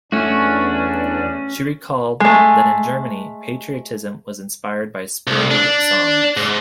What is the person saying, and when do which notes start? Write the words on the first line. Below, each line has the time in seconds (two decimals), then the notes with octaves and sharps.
She recalled that in Germany patriotism was inspired by spirited songs.
0.12 E2 A3 C#4 D4 F#4
2.20 G#3 A3
5.27 C2
5.51 D4
6.37 G#2